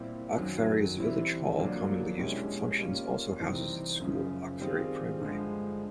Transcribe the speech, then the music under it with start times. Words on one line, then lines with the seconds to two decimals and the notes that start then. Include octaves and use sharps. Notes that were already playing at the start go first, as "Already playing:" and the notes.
Achfary's village hall, commonly used for functions, also houses its school, Achfary Primary.
Already playing: A#2 G3 C4 E4 G4
0.38 F#2 D#3 F#3
0.98 E3 G3 C4 E4
1.58 F2 D3 F#3 A#3 D4
2.18 B2 G#3 C#4 E4 G4
2.79 G3 A#3 C#4 F4
3.40 C3 E3 G3 C4 D#4
4.00 F#2 C#3 F3
4.60 D#3 G3 C4 F4 G#4
5.21 G2 D3 F3 G#3